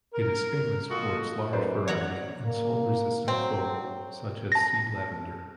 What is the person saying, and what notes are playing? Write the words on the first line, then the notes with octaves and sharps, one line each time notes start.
It is famous for its large variety in salt-resistant flora, such as Sea lavender.
A#4
A#3 F4 F#4 A4 D#5
F#2 D#4 A4 B4 C5 D5
E3 B3 C#5 D5 F#5 A#5 A#6
A#3
F#3 C4
A5 A#6